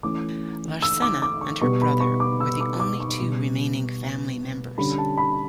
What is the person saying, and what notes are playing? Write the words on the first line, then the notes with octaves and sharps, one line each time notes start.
Larcena and her brother were the only two remaining family members.
E3 A3 C#4 D6
E6
D6
D6
C#6
B2 G3 B3 C#6
B5
C#6
D6
E6
D6
D6
C#6
B2 G3 B3
D3 G3 C#4 B5
A5
B5